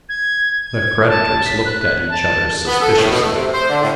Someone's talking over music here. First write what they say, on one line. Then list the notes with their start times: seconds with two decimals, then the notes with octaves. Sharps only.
The creditors looked at each other suspiciously.
0.09 G#6
0.66 G#6
1.08 A5
1.45 B6
1.65 F#6
2.10 A5
2.67 B3
2.81 A4
2.97 A2
3.11 B2
3.22 A3
3.36 C3
3.53 C5
3.69 D3
3.82 A2